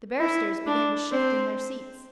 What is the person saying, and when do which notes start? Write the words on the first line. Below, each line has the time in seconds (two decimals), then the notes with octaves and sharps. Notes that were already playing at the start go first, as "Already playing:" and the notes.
The barristers began to shift in their seats.
0.20 E4
0.67 D4
1.12 C4